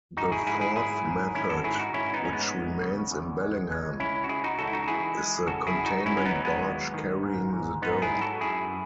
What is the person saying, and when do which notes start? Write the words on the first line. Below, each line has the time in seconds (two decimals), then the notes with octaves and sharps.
The fourth method, which remains in Bellingham, is the containment barge carrying the dome.
0.17 G#2 D#4 F#4
0.32 E4 G#4
0.47 G#2 E4 G#4
0.61 E4 G#4
0.76 F#3 E4 G#4
1.05 G#2
1.35 D#3 C#4 E4
1.50 F#4 A4
1.64 G#2 E4 G#4
1.79 D#4 F#4
1.94 G#2 C#4 E4
2.14 B3 D#4
2.23 G#2 C#4
2.33 G#3 B3
2.53 E2
2.83 C#3
3.11 E2
3.41 G#3
3.70 C#2 G#3
4.00 C#2 C#4 E4
4.24 F#4
4.29 C#2 E4 G#4
4.44 D#4 F#4
4.58 C#2 F#4 A4
4.67 E4
4.73 D#4 F#4
4.88 E3 E4 G#4
5.17 G#3
5.47 C#3 F#4 A4
5.67 E4 G#4
5.77 F#2
5.86 D#4 F#4
6.06 F#3 C#4 E4
6.17 C#4
6.25 B3 D#4
6.35 F#3
6.45 G#3 B3
6.65 D#2
6.94 D#3
7.23 G#2
7.53 G#2
7.82 G#2 B3 D#4
8.02 E4 G#4
8.12 F#3
8.21 F#4 A4
8.41 F#2 E4 G#4